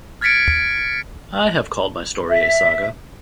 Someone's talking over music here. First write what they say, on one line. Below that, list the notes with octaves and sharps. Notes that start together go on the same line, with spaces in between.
I have called my story a saga.
F6 G#6 A6 B6 C#7 D7
E5